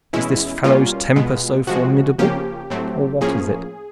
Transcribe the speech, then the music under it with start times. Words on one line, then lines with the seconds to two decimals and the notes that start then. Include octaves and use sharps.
Is this fellow's temper so formidable, or what is it?
0.13 E2 B2 G#3 C#4 E4
0.64 B2 G3 A#3 C#4 F4
1.16 B2 G#3 B3
1.67 C3 F3 G#3 F#4
2.19 C#3 F3 A#3 C#4 G4
2.70 A2 F#3 A3 C4
3.21 A2 F3 A#3 C#4 G#4